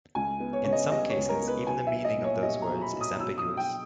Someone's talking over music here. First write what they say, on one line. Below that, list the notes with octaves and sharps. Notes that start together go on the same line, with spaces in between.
In some cases even the meaning of those words is ambiguous.
C#2 G#5
B3
C#5
C#3 C#5
D#5
G3 D#5
C#5
C#2
A#4
B3
B4
B1 G#5
E5
B1
D#5
A#2
C#5
G3 D#5
A#5
B1
B5
B1
D#6
B1 E6
D#6
B1
G5